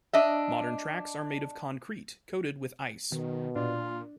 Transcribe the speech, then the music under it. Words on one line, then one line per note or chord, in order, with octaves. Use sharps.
Modern tracks are made of concrete, coated with ice.
D4 D#5 E5
B2 D#3
A#2 D4 F4